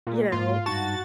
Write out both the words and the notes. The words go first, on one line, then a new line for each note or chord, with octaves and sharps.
you know,
A#2
G#2 A#3 F4
G2 D#4 F#4 A5 A6